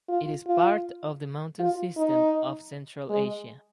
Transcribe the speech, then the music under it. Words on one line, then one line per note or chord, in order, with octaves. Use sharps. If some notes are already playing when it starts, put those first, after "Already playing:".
It is part of the mountain system of Central Asia.
F4
F4
F4
D#4
G#3